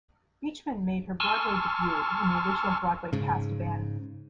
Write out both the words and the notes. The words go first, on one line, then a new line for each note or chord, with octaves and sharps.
Beechman made her Broadway debut in the original Broadway cast of "Annie".
G#5 A5 C6 C#6 E6 F6
G#2 C#3